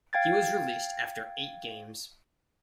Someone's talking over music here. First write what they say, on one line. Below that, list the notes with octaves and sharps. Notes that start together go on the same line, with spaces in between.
He was released after eight games.
F5 G5 G#6 A6